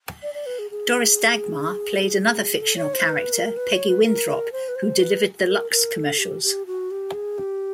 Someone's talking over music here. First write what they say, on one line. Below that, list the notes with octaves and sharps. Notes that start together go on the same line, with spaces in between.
Doris Dagmar played another fictional character, Peggy Winthrop, who delivered the Lux commercials.
D5
D5
B4
G#4
G#4
A4
C#5
C5
B4
A#4
B4
C#5
B4
A#4
C5
B4
C5
B4
A#4
A#4
A4
G4
G4
F#4
G4
G#4
G4